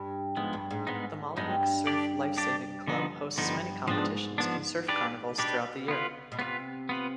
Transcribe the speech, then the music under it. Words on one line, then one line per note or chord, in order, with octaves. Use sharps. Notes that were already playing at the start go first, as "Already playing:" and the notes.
The Mollymook Surf Lifesaving Club hosts many competitions and surf carnivals throughout the year.
Already playing: G2
G#2 F3 G#3 B3
G2
G#2
G#2 G#3 B3 D#4
G2 G#3 B3 D#4
D4 G4 D5
D4 G4 D5
D3 F3 B3 D#4
G2 D3 F3 B3 D#4
G#2 F3 B3 D4
F3 B3 D4
D4 G4 B4 D5
B2 D4 G4 B4 D5
B3 F4 B4
B2
C3 B3 F4 B4
B3 F4 B4